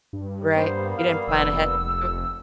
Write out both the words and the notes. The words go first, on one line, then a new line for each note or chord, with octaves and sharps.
Right, you didn't plan ahead? You
G2
G3 A#3 B3 C5
F5
F1 E6